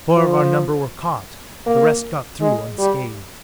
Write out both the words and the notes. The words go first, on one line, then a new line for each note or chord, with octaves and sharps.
Four of our number were caught, but the rest got through unscathed.
F3
A#3
G#3
G3